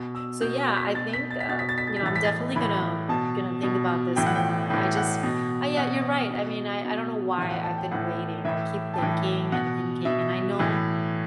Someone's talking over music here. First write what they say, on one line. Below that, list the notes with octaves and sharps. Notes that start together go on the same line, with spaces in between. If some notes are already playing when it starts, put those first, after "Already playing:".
so, yeah, I think, um, you know, I'm definitely gonna gonna think about this more. I just I yeah, you're right, I mean, I I don't know why I've been waiting. I keep thinking and thinking and I know.
Already playing: B2
E6
B2 G6
B6
B2 A6
B6
A6
B6
B2 A6
B6
A6
B6
A6
B6
A2 E3 A6
B6
A6
A2 E3 B5
B2 A5
B2
A2 E3 G5
F#5
G5
A2 E3
F#5
B2
B2 F#5
B2
B2
A2 E3 F#5
F#5
A5
G5
A2 E3 F#5
A2 E3 E5
A5
A2 E3 G5
B2 F#5
B2 E5
A2 E3